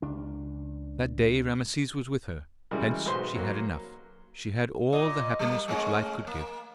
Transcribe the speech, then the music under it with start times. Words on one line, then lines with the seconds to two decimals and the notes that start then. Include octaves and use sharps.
That day Rameses was with her; hence she had enough, she had all the happiness which life could give.
0.02 C#2 D4
2.71 C#3 E3 G3 G#3 F#4 A#4
3.05 B1 G#2 F#4 B4 C5 C6
3.35 F#3 A#3
4.93 A#2 D#5
5.39 G3 A#3
5.68 G#3 A3 C#4
6.27 A#3